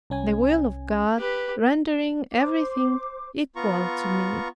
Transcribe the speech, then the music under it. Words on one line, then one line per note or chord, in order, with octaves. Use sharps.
The will of God rendering everything equal to me.
C2 C#4 G#5
G4 B4
C5 D6
B3 F4 A#5 C#6